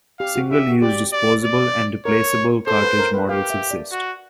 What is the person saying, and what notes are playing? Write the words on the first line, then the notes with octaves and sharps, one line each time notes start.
Single-use, disposable and replaceable cartridge models exist.
G4 F5
F#4
G4 E5
F#4
G4 D5
D5
D5
A#4 C#5
A4 C5
B4
A#4
B4
G4 F5
E5
D5
F#4